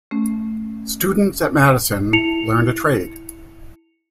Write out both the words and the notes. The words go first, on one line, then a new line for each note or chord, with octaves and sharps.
Students at Madison learned a trade.
A3 C#4
E4 C#7 F7